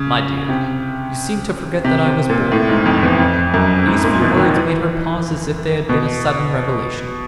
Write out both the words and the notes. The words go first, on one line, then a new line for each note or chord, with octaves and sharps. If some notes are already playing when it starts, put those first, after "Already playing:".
"My dear, you seem to forget that I was born here." These few words made her pause as if they had been a sudden revelation.
Already playing: C#3
C3
C3
C3
A#2
A2
G#2
F2
E2
F2
F#2
G#2
A#2
B2
D#3
E3
B2